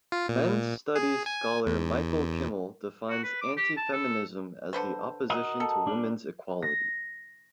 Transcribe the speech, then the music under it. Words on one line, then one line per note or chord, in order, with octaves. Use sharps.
Men's studies scholar Michael Kimmel defines antifeminism as the opposition to women's equality.
F4
A#2
G#4
G#5
E2
F#4
B4
D6
G4
A5
A4
D3 B4 C5
F#4 A#4 D#5
A4
G3 D4
A#6